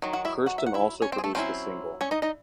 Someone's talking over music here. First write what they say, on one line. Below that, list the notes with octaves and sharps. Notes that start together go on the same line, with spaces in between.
Kurstin also produced the single.
D#3 F#3
F#4 F#5
E4 E5
F#4 F#5
E5
F#5
E4 E5
C#4 C#5
C4 C5
G#4
A3 A4
F#3 C4 C#4 E4 C5
C#4 C#5
D#4 D#5
D#4 D#5